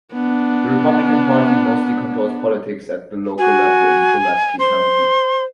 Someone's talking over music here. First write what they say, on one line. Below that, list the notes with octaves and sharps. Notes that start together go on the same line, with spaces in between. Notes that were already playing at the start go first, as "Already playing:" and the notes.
The Republican Party mostly controls politics at the local level in Pulaski County.
B3 D4
F#4 G#5
C5 C6